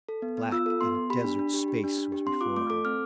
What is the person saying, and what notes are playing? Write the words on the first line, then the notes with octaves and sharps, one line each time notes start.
Black and desert space was before her.
A4
B3
B3
F4 E6
A4
B3 C6
B3
G4 B5
D4
D4
G4
G4
D4
D4
G4
C4 C6
F4 D6
A3 D6
A4 D6
C4 F6